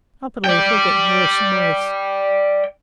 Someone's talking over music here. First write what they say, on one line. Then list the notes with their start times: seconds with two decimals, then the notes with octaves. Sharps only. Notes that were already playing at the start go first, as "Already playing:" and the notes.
I believe we're getting worse and worse.
0.45 D5 G5